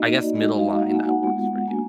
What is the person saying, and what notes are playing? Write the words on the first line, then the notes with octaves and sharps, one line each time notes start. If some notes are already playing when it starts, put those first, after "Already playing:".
I guess, middle line that works for you.
Already playing: A#3 D#4 F#4 D#5
D5
G#3 D#4 F#4 D#5
F5
A#3 D#4 F#4 F#5
G#5
F#5
G#3 B3 F4
A#3 D4 F#4 G#5